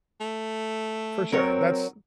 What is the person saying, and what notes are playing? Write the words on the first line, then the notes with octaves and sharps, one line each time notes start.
For sure, that's
A3
F#3 C4 A#4 C#5